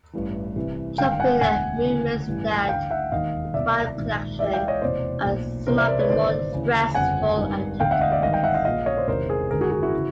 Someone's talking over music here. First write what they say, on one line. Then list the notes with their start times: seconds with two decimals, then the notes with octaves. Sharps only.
Jumping, and movements that require collection, are some of the more stressful activities.
0.13 A1 G2 E3
0.56 C2 C3 E3
0.98 G#1 G2 D3 F5 G5
1.20 F#5 G#5
1.41 E1 D2 D3 F#5 G#5
1.84 D2 C#3 E3
2.27 A1 G2 E3
2.69 D2 D3 F5 G5
2.91 E5 F#5
3.12 E1 D#2 D#3 D#5 F5
3.54 C2 B2 D5 E5
3.97 A#1 G#2 D#3
4.39 C#2 C#3 E3 D5 E5
4.53 F5 G5
4.68 C#5 D#5
4.82 F1 E2 B2 C5 D5
5.24 B1 A#2
5.67 C2 C3 E3 A#4 C5
5.78 D5 E5
5.88 C5 D5
5.99 B4 C#5
6.09 G1 G2 D#3 C5 D5
6.52 D2 C#3 E3
6.94 G1 F2 C#3 F#5 G#5
7.38 G#1 G2 D#3
7.80 E1 D2 D3 F5 G5
7.91 E5 F#5
8.01 D#5 F5
8.12 D5 E5
8.22 G#1 G2 D#3 D#5 F5
8.33 F5 G5
8.44 E5 F#5
8.54 D#5 F5
8.65 A#1 A#2 D#5 F5
8.86 C#5 D#5
8.97 C5 D5
9.08 E1 E2 C3 D#3 A#4 C5
9.29 G#4 A#4
9.50 G#1 F#2 D3 G#4 A#4
9.61 F#4 G#4
9.71 F#4 G#4
9.82 E4 F#4
9.92 C#3 E3